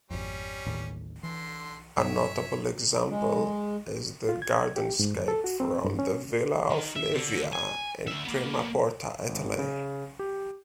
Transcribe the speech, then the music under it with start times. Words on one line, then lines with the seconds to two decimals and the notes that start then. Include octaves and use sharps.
A notable example is the Gardenscape from the Villa of Livia in Primaporta, Italy.
0.11 G#1 F2 G3 C#4
0.67 A1 D#2 A2
1.23 D3 E3 C6
1.98 G2 C#5 E5
3.09 G#3
4.29 F4
4.42 G#6
4.76 G4
4.99 G#2
5.15 F#2
5.28 A4
5.44 F#4
5.60 C4
5.85 G2
5.99 C#4
6.70 D#3
6.96 E5
7.14 D3
7.53 G#5
8.07 D2 E5
8.25 A#3 B3
9.29 G#1
9.59 C#3
10.19 G4